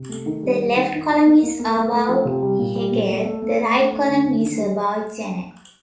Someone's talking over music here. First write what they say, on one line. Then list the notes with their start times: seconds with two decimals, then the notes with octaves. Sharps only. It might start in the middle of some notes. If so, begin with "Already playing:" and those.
The left column is about Hegel, the right column is about Genet.
Already playing: C3
0.09 A3
0.26 D#3
0.43 G3
0.59 G3
0.76 D#3
0.93 D#4
1.10 D#4
1.26 A#3
1.43 A#3
1.59 A#3
1.76 A3
1.92 A3
2.09 F3
2.25 C3
2.43 G3
2.59 A#2
2.75 G3
2.92 A#2
3.09 A3
3.25 A3
3.42 A3
3.58 A3
3.75 A3
3.91 A3
4.08 D3
4.25 D3
4.41 D#3
4.58 G3